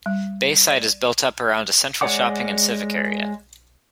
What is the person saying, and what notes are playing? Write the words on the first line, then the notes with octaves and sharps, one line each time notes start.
Bayside is built up around a central shopping and civic area.
G3
D5
G#3 C#5 D5 F#5 D6